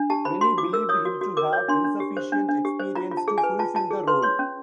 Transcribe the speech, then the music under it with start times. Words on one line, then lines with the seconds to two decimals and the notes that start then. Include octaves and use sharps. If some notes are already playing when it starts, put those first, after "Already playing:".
Many believed him to have insufficient experience to fulfill the role.
Already playing: D4
0.10 G4 A5
0.25 C5 B5
0.41 F#4 C6
0.58 F#4 D6
0.73 A#4 E6
0.89 C#5 D#6
1.05 F#4
1.21 F#4
1.37 A#4 D6
1.53 C#5
1.68 D4 C6
1.85 D4
2.00 G4
2.17 C5
2.32 D4
2.49 D4
2.65 G4
2.80 C5
2.95 F4 A#5
3.11 F4
3.17 A5
3.28 G#4
3.38 G#5
3.43 B4
3.59 F4 A5
3.75 F4 A5
3.91 G#4
4.07 B4 C6
4.22 C#5 C6
4.39 C#4